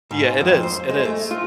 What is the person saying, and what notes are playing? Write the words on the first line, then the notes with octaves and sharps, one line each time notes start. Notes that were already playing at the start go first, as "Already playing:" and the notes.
Yeah, it is, it is,
G#2
C5
F2
C5
G#3
A3
F4